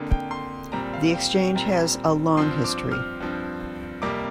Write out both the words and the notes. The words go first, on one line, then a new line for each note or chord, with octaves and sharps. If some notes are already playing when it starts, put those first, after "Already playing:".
The exchange has a long history.
Already playing: F2 D3 A#3
G5
C6
A#2 G3 C4 A#5
F5
G5
G5
A#2 G3 C4 A#5
G2 F3 C4 C6
D6
F6
G2 F3 C4
F2 C3 G3 A#3 D6